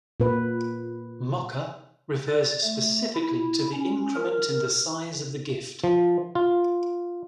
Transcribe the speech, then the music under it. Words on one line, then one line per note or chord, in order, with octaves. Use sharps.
Moka refers specifically to the increment in the size of the gift.
A#2 B4
D5
A3
E4
C#4
A#4
F3
F4